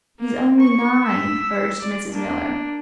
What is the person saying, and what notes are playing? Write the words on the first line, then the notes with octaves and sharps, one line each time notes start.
"He's only nine," urged Mrs. Miller.
A#3
C#6
E6 B6
D5
A#3 D4